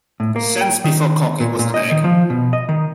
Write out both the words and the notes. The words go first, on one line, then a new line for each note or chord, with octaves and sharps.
Since before cocky was an egg.
A2
A#3
G5
D#3
A#2
A#2
D#5
D#3
F3
B2
D#5
D#3